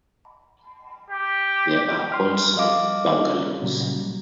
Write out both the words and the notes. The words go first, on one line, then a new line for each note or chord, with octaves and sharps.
There are also bungalows.
G4
C6 F6
G3 D#5 F5 D6
A#2 C#3 F#3 G3